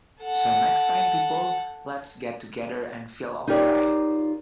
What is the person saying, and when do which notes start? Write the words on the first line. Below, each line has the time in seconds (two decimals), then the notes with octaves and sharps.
So next time, people, let's get together and feel all right.
0.22 A4 F#5
3.47 D#4 F4 G4 A#4 C#5 D5